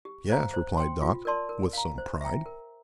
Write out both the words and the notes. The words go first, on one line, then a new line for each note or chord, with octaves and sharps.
"Yes," replied Dot, with some pride.
G4
C5 F5 A#5
C5
G5 C6
F4
A#4 D5 A5 C6
A#4
F5 A#5
C5
E5 G5 A#5
A#4